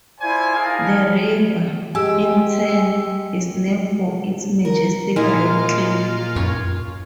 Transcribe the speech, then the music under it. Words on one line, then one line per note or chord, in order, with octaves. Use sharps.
The river, in turn, is named for its majestic rock cliffs.
E4 F4 C5 D5 G#5
D#4 G#4 A#4 D#5 F5 A5
G#3 G4 G#5 E6
A#4
A#2 G#3 E4 F4 G#4 A#4
F#2 C#5